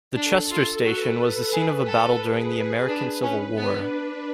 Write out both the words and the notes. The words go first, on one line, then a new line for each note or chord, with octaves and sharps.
The Chester Station was the scene of a battle during the American Civil War.
D4 A4
F4
F#4 B4
G#4
A4
G#4
B4
D4
C#4
B3 D4